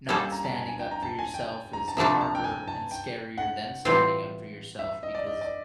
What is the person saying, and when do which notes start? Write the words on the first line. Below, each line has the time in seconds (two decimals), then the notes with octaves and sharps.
not standing up for yourself is harder and scarier than standing up for yourself because,
0.08 G3 A#3 C#4 F#4 A4 G5
0.21 G#5
0.32 A#5
0.44 A5
0.56 G#5
0.68 G#5
0.79 G5
0.91 A#5
1.03 A5
1.19 G#5
1.34 G5
1.73 A#5
1.88 A5
1.97 C3 F3 A3 D4 F#4 A#5
2.21 A5
2.35 G5
2.44 G#5
2.68 A5
2.91 G5
3.38 F#5
3.85 A2 E3 G3 C4 F4
4.79 E5
5.03 D#5
5.15 D5
5.27 D#5
5.41 D5